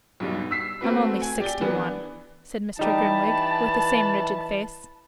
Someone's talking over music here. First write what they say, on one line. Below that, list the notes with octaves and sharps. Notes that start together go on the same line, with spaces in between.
'I'm only sixty-one,' said Mr. Grimwig, with the same rigid face.
B1 G2 B2
E6 B6 C7
A3 C4 F#4 B4
G#5
G4 D5 G7
E3 B3 D4
E3 G3 D#4 A5 B5